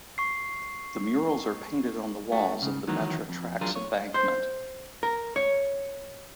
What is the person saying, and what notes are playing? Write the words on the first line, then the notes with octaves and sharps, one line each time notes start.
The murals are painted on the walls of the Metra tracks embankment.
C#6 C7
A3 F#4
G#2 C#3
D#3 E3 F#3 B3 A#4
F2
F#3 D4 F4 G#4 A#4
C#5
C5
A#4
C#5